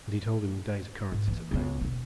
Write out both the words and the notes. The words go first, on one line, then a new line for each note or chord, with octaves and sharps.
And he told him the day's occurrences at length.
G#2
E3 A#3
C#2 B3
E1 A#3